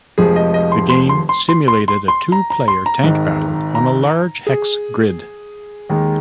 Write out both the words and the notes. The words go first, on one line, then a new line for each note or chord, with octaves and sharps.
The game simulated a two-player tank battle on a large hex grid.
F1 F2 F3 G#3 G#4
D#5
D#5
C6
C6
C6
C6
C6
C6
C6
C6
A#5
A#5
C6
A#5
G#1 G#2 D#3
A#5
G#4
D#2 D#3 G#3